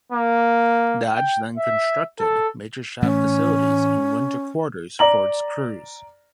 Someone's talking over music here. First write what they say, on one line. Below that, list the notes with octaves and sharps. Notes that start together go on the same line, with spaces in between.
Dodge then constructed major shop facilities and winter quarters for its crews.
A#3
G5
E5
A4
A2 E3 A3 C#4
D5 A#5 F#7